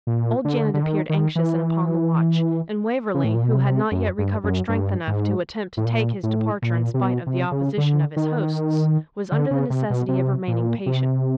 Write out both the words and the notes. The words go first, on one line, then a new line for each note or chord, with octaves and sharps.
Old Janet appeared anxious and upon the watch; and Waverley, who had not yet recovered strength enough to attempt to take his departure in spite of the opposition of his hosts, was under the necessity of remaining patient.
A#2
D3
D3
D#3
D#3
E3
C#3
A2
A#2
B2
C3
F#2
G2
F#2
G2
G#2
A2
A#2
A2
A#2
C3
B2
C3
C#3
D3
D#3
D3
C#3
C3
B2
C3
A#2
C3